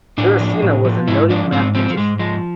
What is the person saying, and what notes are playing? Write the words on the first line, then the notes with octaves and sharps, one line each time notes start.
Virasena was a noted mathematician.
A2 D4
F3
A2
F3
G#2 E4
F3 D4
G#2 C4
F3 C4
F3
G#2 G#3
F3 G#3